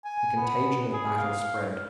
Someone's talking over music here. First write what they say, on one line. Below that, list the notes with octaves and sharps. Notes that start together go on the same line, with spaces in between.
The contagion of battle spread.
G#5
B3
G#4
F5